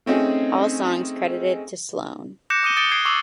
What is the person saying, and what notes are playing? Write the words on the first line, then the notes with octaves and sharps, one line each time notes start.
All songs credited to Sloan.
A3 C4 C#4 D#4 G#4
D6 F#6 G6 A#6 C#7 E7
D6 D#6 C#7 D#7 G7
D#6 A6 C#7 D7 G7
D#6 G#6 C7 D7
C#6 D6 E6 C7 F#7